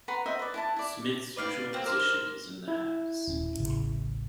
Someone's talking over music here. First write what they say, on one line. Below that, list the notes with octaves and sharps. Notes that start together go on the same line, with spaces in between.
Smith's usual position is in the halves.
B4 F#5 A#5 C6
F#4 C5 D#5 E5
B4 D5
E4 G#5 A5
E4 D5
B4 D5 F5 G5
A#3 C4
A#4 C5 D5 F6
E4
D#1 C#4
D1 A1 C#3